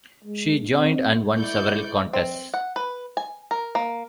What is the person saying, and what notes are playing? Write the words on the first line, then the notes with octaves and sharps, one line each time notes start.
She joined and won several contests.
G#3
C4
E4 D5 C#6 G6
C4
F#5
B4
G#5
A#4
A#3